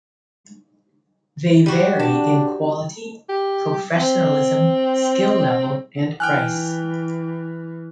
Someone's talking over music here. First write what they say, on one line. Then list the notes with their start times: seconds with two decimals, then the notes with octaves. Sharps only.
They vary in quality, professionalism, skill level, and price.
1.66 G3 F#4
1.99 D4 A5
3.29 G4
3.96 C4
6.20 E3 G5 G#5 F6 F#6